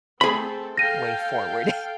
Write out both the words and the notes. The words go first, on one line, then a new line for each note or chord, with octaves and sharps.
way forward.
A3 C4 G#4 A4 B5
A4 F5 G5 A#6 D#7